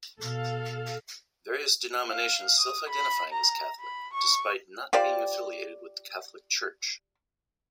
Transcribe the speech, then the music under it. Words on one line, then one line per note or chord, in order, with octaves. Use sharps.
Various denominations self-identifying as Catholic, despite not being affiliated with the Catholic Church.
B2 A4 F5
F5
D#6
B5
A#5
B5
C#6
F4 G4 C5 D5